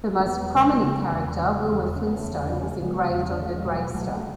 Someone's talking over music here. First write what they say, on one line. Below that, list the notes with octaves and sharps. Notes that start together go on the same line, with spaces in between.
Her most prominent character Wilma Flintstone is engraved on her gravestone.
A3
E2 G#3 B3
C#3
C#3
E2
C#3
E2
C#3 C#4
B3
A3 C#4
E2
C#4
C#3 D4
A3 C#4
C#3 G#3 B3
E2
C#4
D4
E2 A3 C#4
G#3
B2 F#3 A3
C#2 F#3 A3
G#3
A3